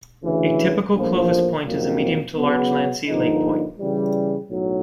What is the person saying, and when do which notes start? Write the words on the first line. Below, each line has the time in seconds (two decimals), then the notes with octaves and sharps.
A typical Clovis point is a medium to large lanceolate point.
0.23 D2 C#3 E3
0.94 A#1 A2 F3 A#3
1.66 F2 C3 D#3 F#3 A#3
2.37 C#3 F#3 B3
3.07 G2 D3 F3 A#3 D#4
3.79 C#3 E3 G3
4.50 B1 A2 F#3